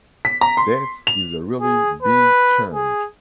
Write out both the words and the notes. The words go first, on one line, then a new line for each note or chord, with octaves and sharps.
Death is a really big change.
B6
A#5
C6
F7
G#4
B4
G#4